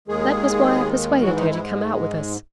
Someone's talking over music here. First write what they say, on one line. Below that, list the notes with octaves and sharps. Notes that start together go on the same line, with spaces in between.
That was why I persuaded her to come out with us.
D#2 D#3 G#3 G#4
G#2 E3 F#3 G#3 F#4
D#3 D#4
E3 E4